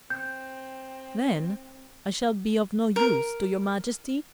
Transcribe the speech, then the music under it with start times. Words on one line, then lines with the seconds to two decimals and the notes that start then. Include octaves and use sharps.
"Then I shall be of no use to your majesty?"
0.10 C4 G6
2.96 A#4